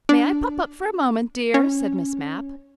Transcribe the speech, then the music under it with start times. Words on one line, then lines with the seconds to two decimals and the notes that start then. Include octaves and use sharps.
"May I pop up for a moment, dear?" said Miss Mapp.
0.09 D4
1.54 C#4